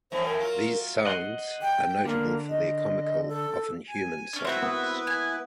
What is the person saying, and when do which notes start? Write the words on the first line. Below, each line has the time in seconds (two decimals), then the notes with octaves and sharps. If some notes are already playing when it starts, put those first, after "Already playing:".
These sounds are notable for their comical, often human sounds.
0.12 F#2 A2 E3 C5
0.25 A#4
0.39 F#3 F4
1.05 D#5 F#5 C6
1.62 G5
2.05 D3 A#3
2.49 D#5
3.28 A4
3.88 G#5
4.33 C#4 D4
4.45 C4 E4 F#4 B4 E5
4.62 B3
5.07 G#5